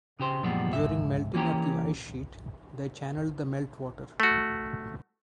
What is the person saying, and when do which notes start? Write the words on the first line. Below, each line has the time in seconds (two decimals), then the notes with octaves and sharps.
During melting of the ice sheet they channeled the melt water.
0.20 C#3 G4 C5
0.43 F#2 A#2 F3 G3 G#3 B3
0.73 C#2 G#2 E5
1.34 E3 A#3 C#4 G4 A#4
4.20 A3 F#4